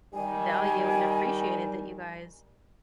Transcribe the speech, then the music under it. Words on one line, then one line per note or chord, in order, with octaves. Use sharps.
value and appreciated that you guys,
D#3 G3 G#5